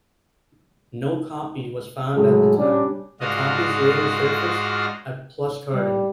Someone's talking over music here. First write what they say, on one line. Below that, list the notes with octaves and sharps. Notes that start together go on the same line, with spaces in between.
No copy was found at the time, but copies later surfaced at Pluscarden.
A2 F#3 G#3 G#4 A4
G3 C#4 D4
G#2 D4 F4 F#4 D#5 F5
G3